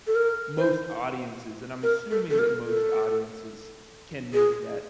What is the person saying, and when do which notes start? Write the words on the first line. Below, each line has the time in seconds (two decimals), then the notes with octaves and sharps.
most audiences and I'm assuming that most audiences can make that
0.07 A4
0.15 A#4
0.58 C5
1.83 A#4
2.11 A4
2.30 A4
2.39 A#4
2.67 A4
4.34 G#4